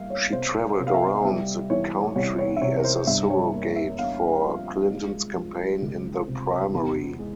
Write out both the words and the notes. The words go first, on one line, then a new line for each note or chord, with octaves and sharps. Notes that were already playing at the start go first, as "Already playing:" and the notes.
She traveled around the country as a surrogate for Clinton's campaign in the primary.
Already playing: G3 A#3 E5 F5
C#5
C2 C5
C3
F5
E5
G3 E5
E3 C#5
C2 C#5
C#5
E5
C3 C#5
A#4
C5
G2 E5
C#5
A#3
E5
G2 F5
F3
G#3
F3
C#2
C3
E2
G#3